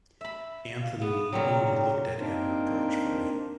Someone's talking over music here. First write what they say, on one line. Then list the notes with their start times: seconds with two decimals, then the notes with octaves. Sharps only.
Anthony only looked at him reproachfully.
0.21 E5 B5
0.82 F5
1.01 B3 G#4
1.32 A#2 C#3 F#3 G5
2.19 A#3 C4 D4 D#4 A#4 C5